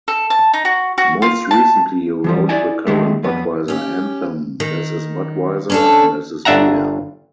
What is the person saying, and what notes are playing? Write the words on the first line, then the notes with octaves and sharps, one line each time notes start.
Most recently he wrote the current Budweiser anthem, This Is Budweiser, This Is Beer.
A4
A5
D#4
F#4
F#4
F4
A5
E3 F3 G3
E4 D5 G#5
D#3 G#3 A3
F2 B3 B4
C#4 G4
D#3
C#4 D4 A4
G1 D4 E5 F#5 A#5